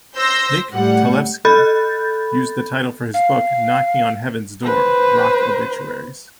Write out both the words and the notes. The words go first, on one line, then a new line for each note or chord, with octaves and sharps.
Nick Talevski used the title for his book, Knocking On Heaven's Door: Rock Obituaries.
C5 E6 G6 A#6
A2 G3 F#5
A4 B5 G6 A6
F5
B4 C5